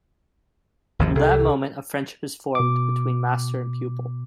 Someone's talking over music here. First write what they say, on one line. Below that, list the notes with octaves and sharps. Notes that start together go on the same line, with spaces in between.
From that moment a friendship is formed between master and pupil.
G#1 D#2 F3
C2 A4
B2 D6